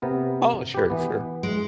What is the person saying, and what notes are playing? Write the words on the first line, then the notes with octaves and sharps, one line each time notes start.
Oh, sure, sure.
C3 B3 A#4
G4 B4
E3 B3
G#3